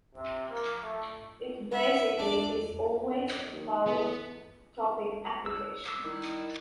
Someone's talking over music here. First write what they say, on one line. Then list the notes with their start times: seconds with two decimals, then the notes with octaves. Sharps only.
It basically is always about the topic application.
0.15 C3
0.49 A#3
0.84 A3
1.71 E5
2.16 D4 D5
3.52 D#2
3.87 E2 B3
5.46 E6
5.89 E6
6.04 D#3 G3 E4